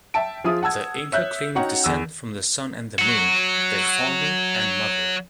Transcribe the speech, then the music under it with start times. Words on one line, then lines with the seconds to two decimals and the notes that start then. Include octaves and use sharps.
The Inca claimed descent from the Sun and the Moon, their Father and Mother.
0.14 E5 G5 A5 D7
0.44 F3 F4 G#4 E5 D#6
0.63 F#5 A5 E6 G#6
1.12 C#5 E5 F#6 G6
1.55 C#4 D#4 F#4 C#5 F#5 G5
1.84 E2 E6
2.99 F#3 F#4